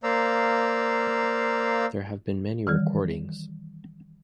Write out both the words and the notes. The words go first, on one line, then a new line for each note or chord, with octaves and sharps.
There have been many recordings.
A#3 C5 D5 F5 A#5 E6
D#3 E3 G3